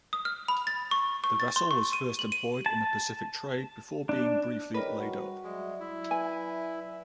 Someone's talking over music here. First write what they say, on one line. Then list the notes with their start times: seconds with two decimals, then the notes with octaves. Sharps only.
The vessel was first employed in the Pacific trade before being briefly laid up.
0.13 D#6
0.25 F6
0.48 B5
0.67 A6
0.91 C#6
1.24 C#6
1.40 A6
1.56 C6
1.71 C#6
1.93 D#7
2.19 F#7
2.32 D#7
2.66 A5
4.09 D4
4.74 C#3 A#4 B4 C#5 D#5 G5
4.99 G3 F#4
5.44 F#3 G#3 D5 E5
5.80 E4
6.11 B4 G#5